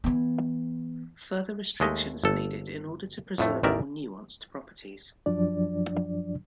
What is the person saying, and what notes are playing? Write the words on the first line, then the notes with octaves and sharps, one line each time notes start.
Further restrictions are needed in order to preserve more nuanced properties.
E3 B3
D#2 G#3 A3 D#5
G1 A4
F2 A2 A3
A1 E2 D#3 A#4 D5 E5
F#2 F3 F#3 D4 D5